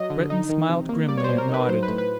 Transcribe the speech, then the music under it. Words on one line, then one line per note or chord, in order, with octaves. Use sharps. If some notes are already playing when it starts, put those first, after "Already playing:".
Breton smiled grimly and nodded.
Already playing: F#3 D#5
D3
D#4
D#3
C3
A#3
G3 D5
C#5
B2 C5
A#4
D#4 B4
F#3 C5
B4
A2
B4